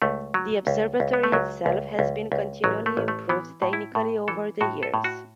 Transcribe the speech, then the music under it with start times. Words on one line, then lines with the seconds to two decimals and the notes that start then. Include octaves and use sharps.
The observatory itself has been continually improved technically over the years.
0.02 C#2 A3
0.34 F#3
0.67 C#2
1.00 C#2
1.13 B3
1.23 A3
1.32 C#2 F#3
1.66 C#2
1.99 C#2
2.32 C#2
2.64 A1 F#3
2.86 A3
2.97 A1
3.08 A3
3.29 E3 B3
3.62 A2
3.73 E4
3.95 A2
4.28 E3 A4
4.61 A2 F#4
4.83 A4
4.94 A2
5.04 F#4